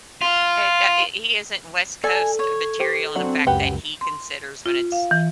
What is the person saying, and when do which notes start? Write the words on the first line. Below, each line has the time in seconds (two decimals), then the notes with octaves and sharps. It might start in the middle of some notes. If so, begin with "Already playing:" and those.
He that h he isn't West Coast material in the fact that he considers when it's
0.22 F4
2.04 A4 D5 G#5
2.39 C#5
2.79 G4 C5
3.15 F#3 C4 D4 F#4
3.47 C#2 F#2 G4 B4 F#5
4.01 C6
4.66 F4
4.92 F5
5.11 E3